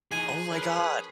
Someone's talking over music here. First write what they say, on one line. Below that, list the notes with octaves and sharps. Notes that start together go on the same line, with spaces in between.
Oh my God.
A2 E3 D#4 G#4 G#5
F3 C#4 A#4 B4